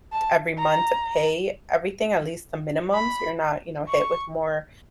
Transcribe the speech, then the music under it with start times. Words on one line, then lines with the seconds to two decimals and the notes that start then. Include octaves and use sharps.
every month to pay everything, at least the minimum, so you're not, you know, hit with more,
0.12 A5
0.59 A#5
2.94 B5
3.89 C#6